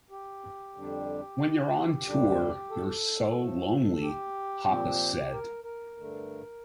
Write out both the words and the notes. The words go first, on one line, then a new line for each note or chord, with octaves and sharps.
"When you're on tour, you're so lonely," Hoppus said.
G4
F2 D3 G3 D4
D2 D3 G3 D4
A4
A2 F3 A3
G4
A#2 F3 C4
A#4
A#4
G2 D3 A3